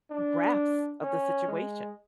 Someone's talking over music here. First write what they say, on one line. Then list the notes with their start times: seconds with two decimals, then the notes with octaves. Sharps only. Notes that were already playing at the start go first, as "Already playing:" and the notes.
grasp of the situation
0.11 D4
1.03 C#4
1.48 G#3